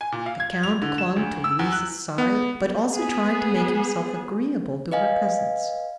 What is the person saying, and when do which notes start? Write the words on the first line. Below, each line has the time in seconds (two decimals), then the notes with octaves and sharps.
The Count clung to Louise's side, but also tried to make himself agreeable to her cousins.
0.01 G#5
0.12 A#2
0.26 F5
0.40 G#6
0.63 F7
0.82 D3
0.98 E7
1.16 D2
1.44 E6
1.59 E2
1.72 F#6
2.18 B3
2.95 B3 G#4
4.92 B4 D#5 F5 G#5